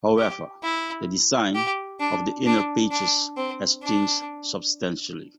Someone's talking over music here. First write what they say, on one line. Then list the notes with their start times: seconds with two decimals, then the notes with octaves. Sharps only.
However, the design of the inner pages has changed substantially.
0.18 G4
0.63 E4
1.55 G4
2.00 D4
2.46 D4
2.91 D4
3.37 C4
3.82 D4